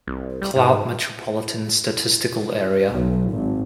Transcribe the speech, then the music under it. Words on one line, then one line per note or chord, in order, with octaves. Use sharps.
Cloud Metropolitan Statistical Area.
C2
G3
G#2
B1
G#1